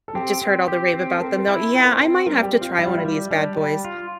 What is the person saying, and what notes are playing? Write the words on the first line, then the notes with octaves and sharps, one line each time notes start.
Just heard all the rave about them, though, yeah, I might have to try one of these bad boys.
A4
C4 G4
C4
G4
C4
A4
C4 A#4
A#4
E4
A4
C4 F4
A#4
C5
C4
G3 A#4
G4
C4
F4
G3 E4
F4
E4
G3
G3 D4
G3
F4